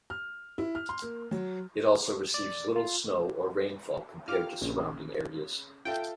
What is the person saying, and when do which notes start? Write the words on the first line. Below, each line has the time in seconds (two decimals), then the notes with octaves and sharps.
It also receives little snow or rainfall compared to surrounding areas.
0.10 F6
0.58 E4
0.75 F6
0.89 C6
1.02 A#3
1.31 F#3
2.34 D5
2.76 F4
4.28 F4 G4 D6 F6
4.61 A#1 C#3
5.85 F4 A4 E5 G5